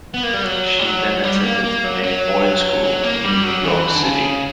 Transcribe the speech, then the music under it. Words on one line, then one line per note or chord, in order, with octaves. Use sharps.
She then attended a boarding school in New York City.
B3
A#3
G3
F#3
G3
F#3
G3
A#3
A#3
F#3
F#3
F#3
A#3
G3
F#3
E3
D3
C#3